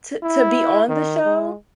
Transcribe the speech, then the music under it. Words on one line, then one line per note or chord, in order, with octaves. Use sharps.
To to be on the show?
E4
D#3
G#3